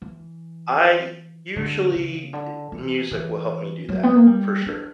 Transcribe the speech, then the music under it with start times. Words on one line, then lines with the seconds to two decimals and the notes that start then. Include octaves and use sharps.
I usually, music will help me do that for sure.
0.02 E3
1.56 D3
1.96 C#3
2.33 D3
2.72 E3
3.11 E3
3.89 F#3
4.03 B3
4.15 A#3
4.27 G3
4.66 D4